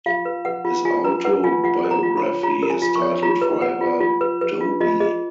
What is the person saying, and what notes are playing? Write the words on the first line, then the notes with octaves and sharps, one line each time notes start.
His autobiography is titled "Forever Dobie".
F4 F5
B4
B4 F#5
F4
F4 G#5
B4 A#5
B4 F#5
F4 G#5
F4 F#5
A#4
A#5
F4
B5
C#5
F4 A#5
A#4
G#5
F4
C#6
C#5
F4 A#5
B4
B4 F#5
F4
F4
B4
B4
F4
F4 D#5
G#4 D#5